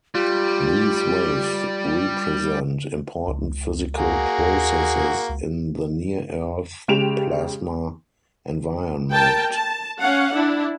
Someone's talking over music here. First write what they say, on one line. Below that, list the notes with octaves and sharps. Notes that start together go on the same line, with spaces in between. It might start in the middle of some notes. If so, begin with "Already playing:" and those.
These waves represent important physical processes in the near-Earth plasma environment.
G3 F4 G4
C#2
A#3 F#4 G#4
D#2
C#2
C#3 G#3 G4 D7 E7 F7
A#4 G5 A5
A5
C#4 F5 F#5
D4 E4